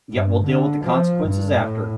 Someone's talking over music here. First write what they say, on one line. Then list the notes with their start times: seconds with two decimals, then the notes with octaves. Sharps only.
Yeah, we'll deal with the consequences after.
0.12 G2
0.44 D3
0.85 F3
1.24 G2
1.60 A2